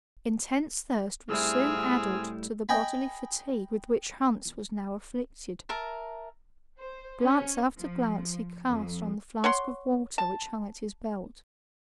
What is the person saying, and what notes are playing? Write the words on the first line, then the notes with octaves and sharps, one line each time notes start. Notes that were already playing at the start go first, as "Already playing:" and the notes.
Intense thirst was soon added to the bodily fatigue with which Hans was now afflicted; glance after glance he cast on the flask of water which hung at his belt.
A2 G3 C4 E4 G#4 E6 F6
D#5 G5 G#5 B5
A#4 E5 A5
C5
C#4
F3
F2
C#5 F#5 C6
A5